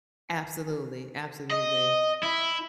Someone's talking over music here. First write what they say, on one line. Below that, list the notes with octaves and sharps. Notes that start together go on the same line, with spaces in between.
Absolutely. Absolutely.
D#5
E4